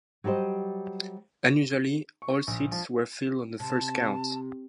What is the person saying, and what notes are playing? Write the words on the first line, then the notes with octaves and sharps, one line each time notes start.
Unusually, all seats were filled on the first count.
F#3 G3 G4 C5 D#5
C#6
A#1
F3
C3 A5